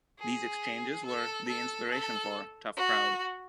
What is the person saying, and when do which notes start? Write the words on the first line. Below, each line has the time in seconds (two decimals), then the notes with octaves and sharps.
These exchanges were the inspiration for "Tough Crowd".
0.19 G#4
1.06 A4
1.48 A4
1.91 A4
2.77 F#4